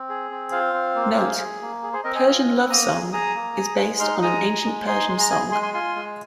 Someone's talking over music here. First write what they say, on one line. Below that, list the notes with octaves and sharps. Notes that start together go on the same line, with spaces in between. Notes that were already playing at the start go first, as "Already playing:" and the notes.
Note: "Persian Love Song" is based on an ancient Persian song.
Already playing: C4
G#4
C4
F4 C5 F5
C4
A#3
G#4
G#4
A#3
G#4
G#4 C5
C4 A#4 D#5
D#5 G#5
F4
C4
A#3 A#5 D#6
G#4
G#4 A#5 D#6
A#3
G#4
G#3
D#4 C6 F6
G#3 A#5 D#6
G#4
G#3
D#4 G#5 C6
G#3 C6
A#5
G#4 D#5 G#5
G#3 G#5 C6
G#5 C6
F4 G#5 C6
G#3